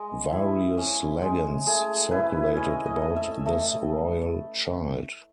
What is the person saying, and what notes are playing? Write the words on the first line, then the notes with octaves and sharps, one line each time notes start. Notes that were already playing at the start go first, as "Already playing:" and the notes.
Various legends circulated about this royal child.
Already playing: G#3 D#5
E4
C#4
G#3
A3 G#4
E4 B4
C#4 D#5
D#5
A3
E5
A3 D#5